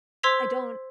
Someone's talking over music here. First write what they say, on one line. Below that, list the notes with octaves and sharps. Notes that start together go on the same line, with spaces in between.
I don't
C5 C6 E6 G#6 B6 F7